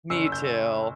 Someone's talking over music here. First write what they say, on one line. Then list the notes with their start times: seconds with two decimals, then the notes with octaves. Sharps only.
Me too.
0.10 F#1 E6
0.32 G6